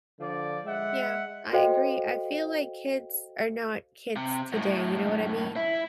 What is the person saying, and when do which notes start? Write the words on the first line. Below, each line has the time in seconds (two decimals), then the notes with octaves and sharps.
Yeah, I agree I feel like kids are not kids today, you know what I mean,
0.19 D3 F3 D5
0.66 G#3 E5 F#5
1.53 F#4 A4 C5 D#5 F5 G5
4.16 C3
4.52 F#2 A2
5.56 E4